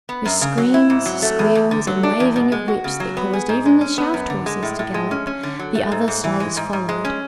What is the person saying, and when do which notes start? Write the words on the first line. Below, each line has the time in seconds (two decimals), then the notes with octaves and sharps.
With screams squeals, and waving of whips that caused even the shaft horses to gallop--the other sleighs followed.
0.09 B3
0.25 F#2
0.41 C#3
0.58 F#3
0.74 E4
0.90 G#2
1.06 F#3
1.22 A3
1.39 E2
1.55 E2
1.71 D3
1.87 F#3
2.03 D4
2.20 E2
2.36 B2
2.52 G#3
2.68 F#4
2.84 C#3
3.00 F#3
3.17 B3
3.33 G#4
3.49 G#2
3.66 G#3
3.81 C#4
3.98 B3
4.14 F#2
4.30 D3
4.46 G#3
4.63 A2
4.79 A2
4.94 G#3
5.11 C#4
5.27 C#4
5.43 D3
5.59 F#3
5.75 A3
5.92 G#2
6.08 G#2
6.24 E3
6.40 G#3
6.57 G#2
6.73 G#2
6.89 G#3
7.05 C#4